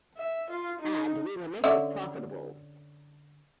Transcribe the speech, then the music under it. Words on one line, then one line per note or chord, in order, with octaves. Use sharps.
And we will make it profitable.
E5
F4
D#4
D3 C#4 E5